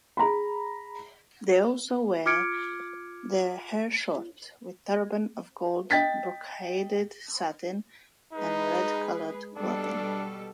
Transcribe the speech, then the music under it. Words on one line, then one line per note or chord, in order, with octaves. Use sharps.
They also "wear their hair short, with turban of gold-brocaded satin", and red-coloured clothing.
G#4 A#5 B5
F4 D6 F6 G#6 C#7 D7
D#5 G5 A6 B6
G#3 D#4 G#4 B4
B2 G3 D4 A4